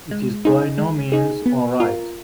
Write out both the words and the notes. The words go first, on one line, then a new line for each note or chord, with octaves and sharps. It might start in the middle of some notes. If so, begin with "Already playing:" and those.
It is by no means all right.
G#3
D#4 G#4
G#3
D#4 G#4
B3
F4 A#4